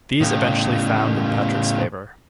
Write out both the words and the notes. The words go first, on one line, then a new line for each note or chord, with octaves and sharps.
These eventually found in Patrick's favour.
A2 C#3